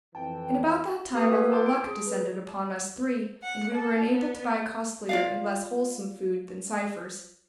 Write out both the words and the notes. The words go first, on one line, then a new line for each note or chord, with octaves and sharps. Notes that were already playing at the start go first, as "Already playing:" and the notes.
And about that time a little luck descended upon us three, and we were enabled to buy costlier and less wholesome food than Cypher's.
F2 E3 G5 A5
A#3 G4 B4 F5 D#6
F4 A4 B4 F#5 G#5 B6
C5 A5 C6 D6
D7
G#4
B4
F#5
A4
B3
F4 D5 F5